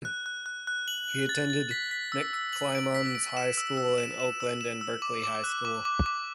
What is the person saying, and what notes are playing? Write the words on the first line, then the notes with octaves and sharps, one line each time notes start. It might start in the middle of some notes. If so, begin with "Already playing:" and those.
He attended McClymonds High School in Oakland and Berkeley High School.
F#6
F#6
F#6
F#6
F#7
F#7
A6
A6
B6
B6
E6
E6
F#7
D7
B6
D7
E7
E6
E6
E7
E7
E6
E7
E6
D6
D6
F#6
D6
D6
D6